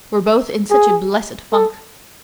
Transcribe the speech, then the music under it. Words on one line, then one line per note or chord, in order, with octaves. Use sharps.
We're both in such a blessed funk.
G#4
A4